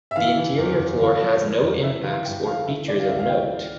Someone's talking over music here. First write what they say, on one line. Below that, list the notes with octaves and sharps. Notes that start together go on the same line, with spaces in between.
The interior floor has no impacts or features of note.
E5
E3 F5
E3
E2
E2
E2 F5
F3
F3
E2
E3 E5
E3 F5
G2 G5
E3 F5
E3 E5
E3 D5
F5
C#2 E5
F5
E3 G5